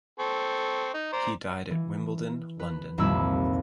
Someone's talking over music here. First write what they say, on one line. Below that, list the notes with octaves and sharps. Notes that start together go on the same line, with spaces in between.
He died at Wimbledon, London.
C4 A4 C#6
D#4
C5 D5 A#5
E3
B4
D#1 C2 F2 A#3 B5 E6